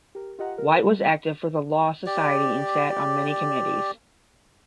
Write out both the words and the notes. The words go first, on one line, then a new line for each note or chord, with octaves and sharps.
White was active for the law society and sat on many committees.
G4 A#4
F4 G4 D#5 F#5 A#5
A#4
G3
G4 D5